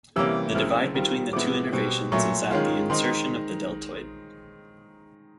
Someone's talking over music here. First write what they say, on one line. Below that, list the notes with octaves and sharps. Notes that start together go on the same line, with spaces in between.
The divide between the two innervations is at the insertion of the deltoid.
C3 E3 G3 A#3 C#4 E6
C#3 F#3 A3 C4 E4 F6
D#3 G3 C4 F4
A2 F3 G#3 B3 E4 D6
B2 G3 C4
A#2 F#3 A3 C#6
D#3 G#3 C#4 F4
D#3 G#3 C4 D#4 C6